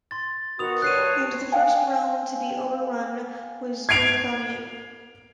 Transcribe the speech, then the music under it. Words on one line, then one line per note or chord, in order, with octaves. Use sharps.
And the first realm to be overrun was Dorthonion.
C6 A6
D#3 B3 F#4 D#6 F7
G2 C#5 F#6 C7 D#7
F5 G5 G#5
G#6 C7 D7 F7